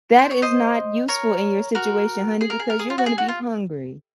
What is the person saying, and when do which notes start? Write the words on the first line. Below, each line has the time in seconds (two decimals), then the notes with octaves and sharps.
That is not useful in your situation, honey, because you're gonna be hungry.
0.19 C5
0.31 C#5
0.42 C5 D#5
1.08 A#4 C#5
1.75 F#4 A#4
2.41 G#4
2.50 A#4
2.59 G#4
2.70 A#4
2.79 G#4
2.90 F4
2.98 F#4
3.06 G#4
3.18 F#4
3.28 F4